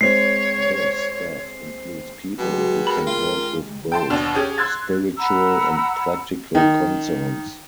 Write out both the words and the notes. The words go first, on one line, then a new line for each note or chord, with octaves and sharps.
The staff includes people who can help with both spiritual and practical concerns.
G#3 C4 C#5 C7
B2 F#3 G#3 G4
A#4 B5
D#3 F4
G5 A5 C6
D#2 B2 D4
C#4 G4 G#4
C6 E6 F#6 G#6 A6
F#5 A#5 B5 E6
D#3